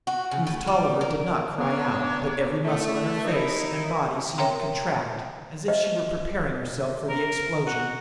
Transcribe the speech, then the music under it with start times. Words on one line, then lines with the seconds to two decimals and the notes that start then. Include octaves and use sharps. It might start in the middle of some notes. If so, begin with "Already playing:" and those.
Ruth Tolliver did not cry out, but every muscle in her face and body seemed to contract, as if she were preparing herself for the explosion.
0.07 F#4
0.31 C#3
0.47 A2
0.67 G3
1.01 A#4
1.58 A#3 B3 D4 C#5
2.64 A3 E4
3.25 D#4 E4 A#4
4.38 A#4 C#5 E5 G5 A#5 C6
5.68 D#5 E5
7.09 A#4
7.67 F#4